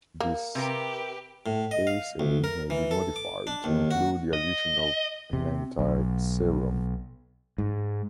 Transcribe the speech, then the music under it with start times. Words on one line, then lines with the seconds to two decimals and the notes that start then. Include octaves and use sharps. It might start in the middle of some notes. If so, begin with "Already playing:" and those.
This assay may be modified to include the addition of an antiserum.
0.20 A#3
0.55 C3 G4 A#4 B4
1.46 A2
1.71 D#5
1.87 F5
2.20 D2
2.44 A#4
2.70 E3
2.91 A4
3.16 D6
3.47 D4
3.64 D#2
3.91 F#4
4.33 D#5
5.33 C3
5.79 B1
7.58 G#2